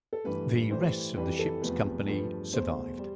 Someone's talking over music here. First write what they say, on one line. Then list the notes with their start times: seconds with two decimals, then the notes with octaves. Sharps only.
The rest of the ship's company survived.
0.13 A4
0.24 G2 E3 A3 B4
0.70 A2 E3 G3 C5
1.16 F2 E3 G3 B4
1.39 A4
1.62 E2 C3 F3 A3 B4
2.08 G2 F3 A3 B4
2.53 E2 B2 A3 C5
2.98 G3